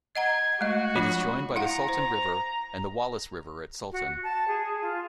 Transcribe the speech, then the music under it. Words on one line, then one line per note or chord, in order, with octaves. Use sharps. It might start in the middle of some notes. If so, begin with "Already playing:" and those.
It is joined by the Sultan River and the Wallace River at Sultan.
D#5 F#5 A#5 G#6
G#3 A3 F#4 D#5
F3 D4 F4
E4 F5 F#5 A#5
C5
F#4
A5
G#4
F4